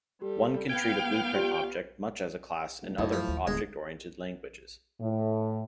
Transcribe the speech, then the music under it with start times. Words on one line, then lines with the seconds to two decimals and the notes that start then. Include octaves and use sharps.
One can treat a blueprint object much as a class in other object-oriented languages.
0.22 G3 G4 A4
0.69 B3 F5 G5 G#6
1.34 F4 G4 D5
2.82 F1
2.98 B1 F#2 A2
3.13 F3
3.28 D#2
3.47 D1 G1 G#3
5.01 A2